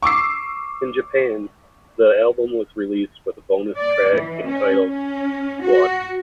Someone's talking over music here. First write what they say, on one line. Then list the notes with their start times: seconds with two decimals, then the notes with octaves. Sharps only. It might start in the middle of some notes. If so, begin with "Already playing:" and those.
In Japan, the album was released with a bonus track entitled "Flood".
0.03 C#6 D6 E6 C7
3.78 D5
4.14 E3
4.47 C#4
4.86 C#4
5.63 F#4